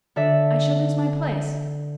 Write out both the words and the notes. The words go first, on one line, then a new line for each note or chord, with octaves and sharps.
'I shall lose my place.
D3 D5 E5